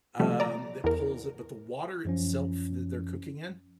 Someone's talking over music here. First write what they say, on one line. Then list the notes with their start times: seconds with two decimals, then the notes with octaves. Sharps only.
um, that pulls it, but the water itself that they're cooking in,
0.20 C3 F3 G3 A3
0.40 D5 A#5
0.84 E2 A#4
2.05 F#2 F3 C#4